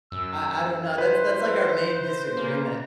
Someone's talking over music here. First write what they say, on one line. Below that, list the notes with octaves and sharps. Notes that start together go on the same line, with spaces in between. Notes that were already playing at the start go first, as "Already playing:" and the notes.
I I don't know, that's that's, like, our main disagreement,
F#2 E6
E4 B4 C5
C#3 A#3